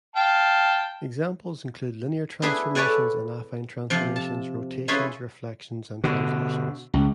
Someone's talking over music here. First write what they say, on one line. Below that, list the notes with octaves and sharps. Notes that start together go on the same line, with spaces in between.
Examples include linear transformations and affine transformations, rotations, reflections and translations.
F5 G5 A5
B3 D4 E4 G#4 B4
A4 B4 C#5 D5 F#5 G#5
C3 F3 F5
A5
C#4 E4 F4 G#4 B4 C#5
B2 D3
C#2